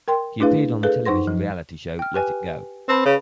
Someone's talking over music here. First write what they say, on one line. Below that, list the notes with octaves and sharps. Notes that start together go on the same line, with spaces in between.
He appeared on the television reality show ""Let It Go!
A#4 G5 C6
A3 D4 E4 G#4 B4 F5
G#4 A4 B4 F5
F#2 D#4 C5 F#5 C6 A#6
F3
G5 F6
G4 B4 G#5
C4 B4 A5 B5
C#3